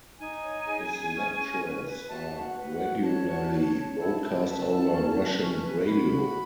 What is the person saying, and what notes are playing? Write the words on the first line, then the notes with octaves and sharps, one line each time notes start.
His lectures are regularly broadcast over Russian radio.
D#4 G#5
C#5
G#4
G#4
C#4
C#4
B4
B4
F#4 A5
F#4
F#5
B4
F#5
F#4
C#5 A5
F#4
C#5
C#5
E4 A5
E4
B4
E4
C#4
B4
C#4
B4
F#4 B5
F#4